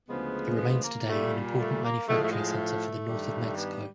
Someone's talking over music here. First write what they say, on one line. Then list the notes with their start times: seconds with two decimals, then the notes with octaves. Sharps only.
It remains today an important manufacturing centre for the north of Mexico.
0.08 D2 C#3 F3 G#3 B3
0.58 B3
0.83 A#3
1.07 A#2 G3 A3
1.58 A3
1.82 A#3
2.07 A2 F3 G#3 A3
2.22 A3
2.31 G#3
2.56 A3
3.07 G2 D#3 G3
3.56 B3